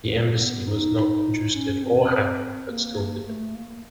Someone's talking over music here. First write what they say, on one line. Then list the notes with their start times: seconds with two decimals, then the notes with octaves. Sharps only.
The Embassy was not "interested or happy" but still did it.
0.15 G#3
0.23 A3
0.31 A#3
0.39 B3
0.67 D#4
0.96 D#4
1.54 C#4
1.82 C4
2.69 A#3
3.26 A3
3.55 A#3